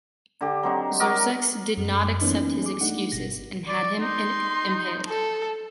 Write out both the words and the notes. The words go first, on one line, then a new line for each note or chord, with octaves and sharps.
Xerxes did not accept his excuses and had him impaled.
D3 G4
F#3 C4 D#4
F#4 A#4 D5 D#5
F#2
E3 F#3 A#3 B3 C#4 D#4
G#4 D6
A3 D4 D#4 F#5 C#7
G1 B2 A#6
D5
D#4 C6
A4